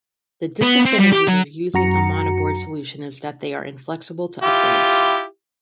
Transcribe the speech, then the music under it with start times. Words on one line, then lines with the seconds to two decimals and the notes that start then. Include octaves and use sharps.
The disadvantages of using a monoboard solution is that they are inflexible to upgrades.
0.62 B3
0.86 C4
1.00 G3
1.12 G4
1.28 F#3
1.74 F#2 F#4 A#5 C#7
4.43 E4 F4 G4